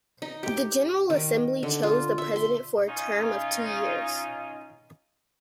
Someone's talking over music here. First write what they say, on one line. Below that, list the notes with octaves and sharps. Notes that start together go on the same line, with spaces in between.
The General Assembly chose the President for a term of two years.
D#4
G4
D#3
D3
F4
E5
C6
C#4 D#4 F4